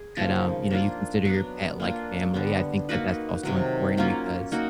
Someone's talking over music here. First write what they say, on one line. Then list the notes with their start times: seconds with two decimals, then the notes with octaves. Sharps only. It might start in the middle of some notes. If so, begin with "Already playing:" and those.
that, um, you know, you consider your pet like family, I think that that's also important because,
Already playing: G#4
0.17 C#3 F3 A#3 D#4
0.71 A#3 D4 F4
1.25 F#3 B3 D4
1.80 A#3 D4 F4
2.34 D3 G3 B3
2.89 A#3 D#4 F#4 B4
3.43 C3 D#3 F#3
3.97 F#3 A#3 C#4 F4
4.52 A#3 D#4 F#4